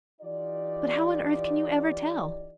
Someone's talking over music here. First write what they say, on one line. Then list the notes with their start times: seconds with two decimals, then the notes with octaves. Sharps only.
But how on earth can you ever tell?
0.21 E3 D#4 F4 G4 D5